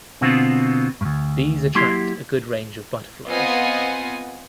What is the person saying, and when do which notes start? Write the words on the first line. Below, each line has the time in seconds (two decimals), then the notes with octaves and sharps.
These attract a good range of butterflies.
0.21 B2 D3 B3 C4 F4
1.01 D2 G2
1.75 F#3 A#3 E4 G4 C6
3.28 B3 C4 F4 D#5 F#5 G#5